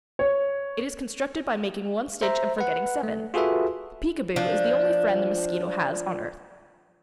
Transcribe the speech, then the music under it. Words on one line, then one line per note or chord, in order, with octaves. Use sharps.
It is constructed by making one stitch and forgetting seven. The Peekaboo is the only friend the mosquito has on earth.
C#5
C5 E5 A#5
B4 F#5
A3
F4 F#4 G#4 A4 B4 E5
F3 D4